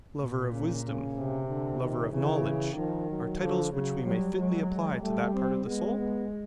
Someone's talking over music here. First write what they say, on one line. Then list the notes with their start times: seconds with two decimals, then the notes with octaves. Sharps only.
'Lover of wisdom,' 'lover of knowledge,' are titles which we may fitly apply to that part of the soul?
0.20 A#2
0.52 C#3
0.84 C#3
1.16 C3
1.48 D3
1.81 D#3
2.12 C#3 E3
2.77 D#3 F3
3.10 F#3
3.41 D3 F3
3.73 C#3 F#3
4.05 F#3 G3
4.38 F#3 G#3
4.70 G#3
5.02 G3 A3
5.34 C4
5.66 G#3 B3
5.98 B3